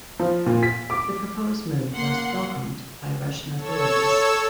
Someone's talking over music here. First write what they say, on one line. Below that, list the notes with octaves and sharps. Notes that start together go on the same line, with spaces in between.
The proposed move was "welcomed" by Russian authorities.
F3
A#2
B6
D6
A#3 F#5 C6
A4 C#5 E6